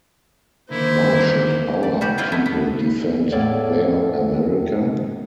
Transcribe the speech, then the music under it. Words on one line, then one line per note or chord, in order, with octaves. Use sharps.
Why should "our" people defend "their" America?
D3 D#3 A#3 E4 C5
D5
G3 F#4 G4
E4 F4 B4 D#5 G5
A3 B3
B3
E2 A2 A4 C#5 D5 F5